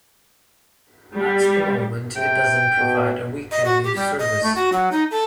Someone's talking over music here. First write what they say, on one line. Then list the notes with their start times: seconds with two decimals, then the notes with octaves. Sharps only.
At the moment it doesn't provide a weekend news service.
1.14 G3
2.16 C3 G5
2.78 B2
3.51 D#5
3.65 F#4
3.84 G4
3.96 G3
4.19 D#5
4.43 A3
4.55 F#4
4.72 F#3
4.92 D#4
5.11 A4